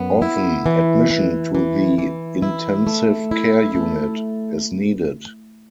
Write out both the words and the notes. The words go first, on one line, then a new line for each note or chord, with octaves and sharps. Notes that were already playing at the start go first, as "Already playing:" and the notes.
Often, admission to the intensive care unit is needed.
Already playing: F#2 B3
E4
E3
E3
E3
E3
E4
A3
E4
A3